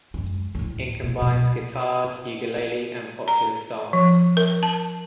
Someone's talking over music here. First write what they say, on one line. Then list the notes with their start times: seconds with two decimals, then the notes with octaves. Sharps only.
It combines guitars, ukulele, and popular songs.
0.14 F#2 G#3
0.55 D2 A2
1.03 B2
1.22 B2 G3
3.28 A#5
3.93 F3
4.37 A#4
4.63 A5